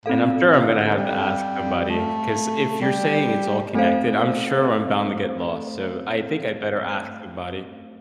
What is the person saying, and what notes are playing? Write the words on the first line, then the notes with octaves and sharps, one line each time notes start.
And I'm sure I'm gonna have to ask somebody, 'cause if you're saying it's all connected, I'm sure I'm bound to get lost, so, I'd think I better ask somebody.
A2 C4 A4 F5
C3
D3
G3
A3
G3
A3 C4 A4 C5 F5